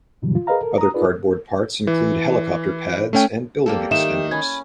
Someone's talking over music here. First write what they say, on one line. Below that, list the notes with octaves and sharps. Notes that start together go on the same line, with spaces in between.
Other cardboard parts include helicopter pads and "building extenders".
G2 B2 D3 E3 F#3 G3
F4
G#4 A#4 B4 D#5 F5 A#5
A4 A#4
A#5 D#6
D#4 F4 G#4 A#4 B4 D5
E3
A3 C#4 G5
G3 A#3 G4 A4
D#3 E5 E7
C#4 B5 G#6